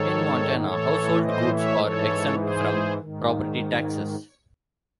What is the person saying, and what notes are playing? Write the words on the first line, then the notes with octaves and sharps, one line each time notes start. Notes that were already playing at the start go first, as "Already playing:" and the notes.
In Montana, household goods are exempt from property taxes.
Already playing: G#2 D#3 A4 C#5
A2 E3 A4 C#5
C5 D#5
C#5 E5
G#2 E3 A4 C#5
G#4 C5
G#2 D#3